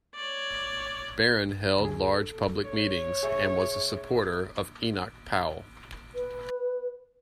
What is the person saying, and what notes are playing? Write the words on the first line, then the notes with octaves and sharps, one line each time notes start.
Baron held large public meetings and was a supporter of Enoch Powell.
C#5 D5
D2 G#4
A4
C#5
G#4 E5 C#6
B4